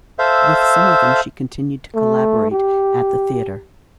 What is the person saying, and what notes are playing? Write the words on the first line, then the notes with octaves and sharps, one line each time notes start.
With some of them she continued to collaborate at the theatre.
A4 C5 E5 F5
A3
G4